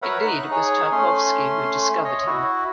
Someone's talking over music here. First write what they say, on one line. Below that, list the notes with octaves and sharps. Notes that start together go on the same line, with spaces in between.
Indeed, it was Tarkovsky who "discovered" him.
A#4 B4 C#5 E5 F#5 B5
D#4 F#6
D#4 G#4 C#5
A3 C#4 C6
C#5 D#5
E4 F#4